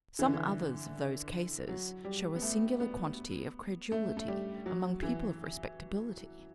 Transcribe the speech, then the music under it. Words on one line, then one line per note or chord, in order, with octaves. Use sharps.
Some others of those cases show a singular quantity of credulity among people of respectability.
E3
D3
E3
F#3
G3
B3
A3
B3
A3
A3
G3
F#3
E3